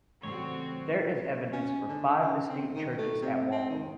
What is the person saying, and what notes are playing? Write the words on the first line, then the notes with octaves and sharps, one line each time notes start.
There is evidence for five distinct churches at Waltham.
A2 C#3 E3 G3 C4 F#4 C#5
C#4
D3
C#3
C4
D#3
A3
C3
C4
D#3